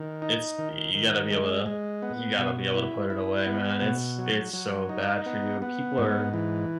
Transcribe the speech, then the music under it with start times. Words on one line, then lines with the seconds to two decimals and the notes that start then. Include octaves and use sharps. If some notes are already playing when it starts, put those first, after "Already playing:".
It's You gotta be able to You gotta be able to put it away, man, it's it's so bad for you. People are
Already playing: D#3
0.22 D#4
0.58 D#3
0.94 D#3
1.31 G#3
1.66 G#3
2.02 B3
2.39 B2
2.74 E4
3.10 E4
3.46 B3
3.82 B2
4.18 F#3
4.53 F#3
4.89 D#4
5.26 B3
5.62 B3
5.98 G#2
6.34 E3